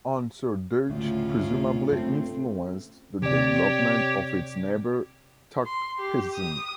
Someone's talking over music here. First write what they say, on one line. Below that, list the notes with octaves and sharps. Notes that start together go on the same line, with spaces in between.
Unserdeutsch presumably influenced the development of its neighbour, Tok Pisin.
D2 A2 C#3 F4
A3 C4
C3 G4 C#5 D5 G5
C6
G4
D#6